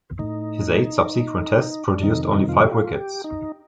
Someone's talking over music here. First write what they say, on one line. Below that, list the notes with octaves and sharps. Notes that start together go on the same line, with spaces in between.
His eight subsequent Tests produced only five wickets.
A2 D#4
D4
F2 C3 D#3 D#4
D#4
F4
G4
F4
G4
D#4